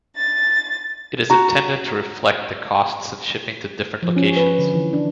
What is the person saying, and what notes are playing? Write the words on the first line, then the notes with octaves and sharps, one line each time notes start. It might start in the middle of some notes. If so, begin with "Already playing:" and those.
It is intended to reflect the costs of shipping to different locations.
A6
F#4 A#5
F3
C#4
B4
D3
E3
D4